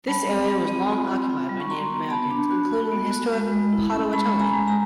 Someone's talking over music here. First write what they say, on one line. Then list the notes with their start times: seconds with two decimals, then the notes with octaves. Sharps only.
This area was long occupied by Native Americans, including the historic Potawatomi.
0.07 G3 A5 B5
0.28 C4
0.48 G3
0.68 C4
0.89 F4
1.09 C4
1.30 F4
1.49 G3
1.60 C#6
1.69 F#4 A#5 C6
1.90 B3
2.10 B3 A5 B5
2.30 D4
2.51 F#4
2.71 F#4
2.92 B3
3.11 F#4
3.33 G#3
3.52 G#3
3.73 E4
3.92 C#4
4.13 G#3 A5 B5
4.33 C#4
4.39 G#5 A#5
4.54 G#3
4.67 G#5 A#5